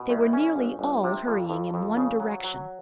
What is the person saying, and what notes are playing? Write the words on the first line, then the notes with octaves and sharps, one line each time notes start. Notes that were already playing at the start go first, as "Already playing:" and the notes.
They were nearly all hurrying in one direction.
Already playing: B2
C2
C#4
G1
G1
C3
F2
F2
F2
C#3
F#3
F#3